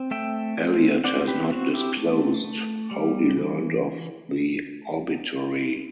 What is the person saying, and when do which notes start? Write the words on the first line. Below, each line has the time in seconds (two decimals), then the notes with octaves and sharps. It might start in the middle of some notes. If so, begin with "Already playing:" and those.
Elliott has not disclosed how he learned of the obituary.
Already playing: C4
0.11 A3 E5 G5
0.58 C4
1.04 C4 D5 F#5
1.28 G4 B4
1.44 E4
1.51 C4 F#4
1.74 E4 G4
1.97 A3
2.44 A3
2.91 G3
3.37 E3